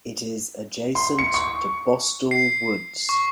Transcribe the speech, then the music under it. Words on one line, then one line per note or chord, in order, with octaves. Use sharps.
It is adjacent to Bostall Woods.
C6
C#7
C#6
C7
C#6